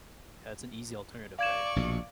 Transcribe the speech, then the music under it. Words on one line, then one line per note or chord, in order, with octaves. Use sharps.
yeah, it's an easy alternative, right?
D5 F5 C#6 G#6 E7
A#1 B2